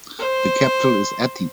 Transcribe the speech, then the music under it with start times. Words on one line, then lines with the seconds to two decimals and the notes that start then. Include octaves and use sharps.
The capital is Ati.
0.19 C5